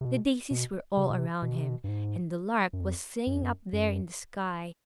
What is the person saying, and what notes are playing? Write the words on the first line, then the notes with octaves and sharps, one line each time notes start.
The daisies were all around him, and the lark was singing up there in the sky.
C3
B2
B2
C#3
C3
B2
C3
B2
C3
B2
G2
G#2
F#2
F2
F#2
F2
F#2
F#2